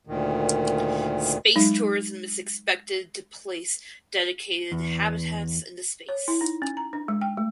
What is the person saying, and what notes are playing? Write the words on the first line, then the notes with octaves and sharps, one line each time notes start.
Space tourism is expected to place dedicated habitats into space.
D2 A#2 D#3
F#3 G#3 D#4
E2
C#5
E4
D#4
C#4
A#5
D4
G#3
G5
A3